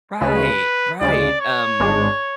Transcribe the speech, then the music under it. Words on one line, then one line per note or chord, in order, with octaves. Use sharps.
Right, right, um,
D2 C#3 G#3 B4
D2 C#3 G#3 D5
C#5
G#1 G#2 G#3 D4